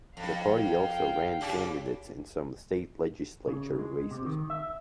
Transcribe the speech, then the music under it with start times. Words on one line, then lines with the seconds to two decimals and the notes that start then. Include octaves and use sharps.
The party also ran candidates in some state legislature races.
0.17 F2 F5 G5
1.41 C#3 G4
3.47 C#3
3.79 G#3
4.11 C3
4.26 D#3
4.50 E5